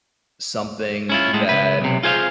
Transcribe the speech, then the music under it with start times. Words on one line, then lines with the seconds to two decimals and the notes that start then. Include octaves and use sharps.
something that
1.09 C#4 E4 F4
1.34 A2 G#3
1.49 C#2 B2 B4
1.80 B1 C3
2.03 F4 G#4 C5 E5 F5